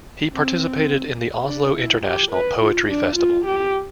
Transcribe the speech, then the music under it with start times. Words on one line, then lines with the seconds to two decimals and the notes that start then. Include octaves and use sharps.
He participated in the Oslo International Poetry Festival.
0.32 C4
1.47 D4
1.74 E4
2.04 G4
2.32 B4
2.60 F4
2.89 D4
3.17 F4
3.46 G4